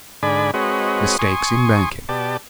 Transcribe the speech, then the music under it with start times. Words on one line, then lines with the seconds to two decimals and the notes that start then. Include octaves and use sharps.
Mistakes in Banking.
0.23 G#2 D3 D5 G#5 B5
0.54 G#3 C4 F#4 B4 C#5 D#5
1.19 G#5 C6 C#6 D#6
2.09 B2 G4 D5 A5